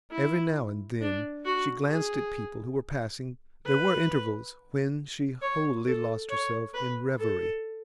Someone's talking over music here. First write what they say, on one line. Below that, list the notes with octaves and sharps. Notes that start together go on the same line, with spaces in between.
Every now and then she glanced at people who were passing; there were intervals when she wholly lost herself in reverie.
E4
D4
F#4
G#4
B4
C#5
A4
C#5
B4
A4